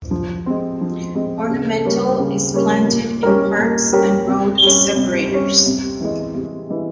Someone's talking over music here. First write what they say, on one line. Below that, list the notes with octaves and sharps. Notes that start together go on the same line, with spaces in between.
Ornamental is planted in parks and road separators.
F3
G#3 C4
F3
G#3 C4
C#3
G3 A#3 C#4
C#3
G3 A#3 C#4
A#2
G3 C#4 G4 A#4
A#2
G3 C#4 G4 A#4
C3
G3 C#4
C3
G3 C#4
C3
E3 G#3
C3
E3 G#3